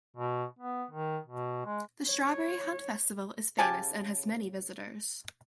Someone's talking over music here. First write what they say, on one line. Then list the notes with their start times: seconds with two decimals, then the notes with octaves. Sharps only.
The Strawberry Hunt Festival is famous and has many visitors.
0.17 B2
0.59 B3
0.91 D#3
1.26 B2
1.65 G#3
2.09 C#5
3.59 C#3 G4 G#5 A5